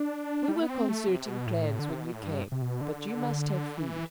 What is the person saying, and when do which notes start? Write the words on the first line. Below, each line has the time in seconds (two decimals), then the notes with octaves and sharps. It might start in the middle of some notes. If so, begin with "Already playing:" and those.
"We were concerting plans when you came; but you must have food."
Already playing: D4
0.48 G3
0.56 A3
0.63 B3
0.70 C4
0.89 A3
1.08 C3
1.27 B2
1.47 A2
1.79 D3
1.90 C3
2.01 B2
2.12 A2
2.23 G2
2.52 C3
2.62 B2
2.81 D3
3.77 E3